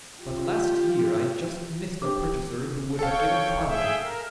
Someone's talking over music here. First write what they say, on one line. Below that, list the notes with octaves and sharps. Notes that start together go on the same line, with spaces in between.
But last year I just missed a purchaser who would have given twelve.
F4 G4
D4 G4
A4 C#5 F5 G5
G#4 E5 G5
A#4